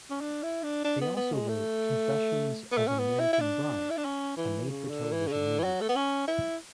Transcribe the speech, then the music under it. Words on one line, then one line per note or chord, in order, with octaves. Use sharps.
They also wrote "Confessions of an American Bride", a made for television movie.
C#4
D4
E4
D4
D4
B3
B3
G#3
A3
B3
A3
C#4
B3
E4
E4
D4
E4
D4
C#4
E3
C#3
D3
E3
C#3
D3
E3
F#3
A3
B3
C#4
E4